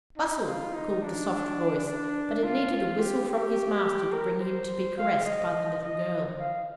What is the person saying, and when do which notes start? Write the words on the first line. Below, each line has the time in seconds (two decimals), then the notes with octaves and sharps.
Bustle!' called the soft voice but it needed a whistle from his master to bring him to be caressed by the little girl.
0.16 D#4
0.45 F4
0.74 D#4
1.02 D4
1.86 D4
2.43 F4
2.72 F4
2.99 G4
3.27 G4
4.12 A#4
4.41 C5
4.98 F5
5.25 D#5
5.83 D#5
6.39 F5